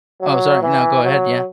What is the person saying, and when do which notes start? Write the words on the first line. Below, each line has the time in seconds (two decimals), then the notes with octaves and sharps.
Oh, sorry. No, go ahead, yeah.
0.21 F#3
0.63 E3
1.04 F#3